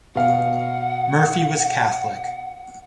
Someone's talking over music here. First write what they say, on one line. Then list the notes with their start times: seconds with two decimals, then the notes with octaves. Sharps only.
Murphy was Catholic.
0.15 B2 F5 F#5